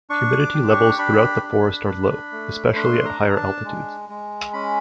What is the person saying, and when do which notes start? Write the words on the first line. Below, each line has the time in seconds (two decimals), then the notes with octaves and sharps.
Humidity levels throughout the forest are low, especially at higher altitudes.
0.10 D4 C#6
0.39 D6
0.54 G4
0.69 C#6
0.99 D4 B5
1.43 D4
1.87 D4
2.32 A3
2.76 D4 C6
3.06 A#5
3.21 D4
3.30 A#5
3.36 A5
3.65 G#3
4.09 G#3
4.53 C#4 B5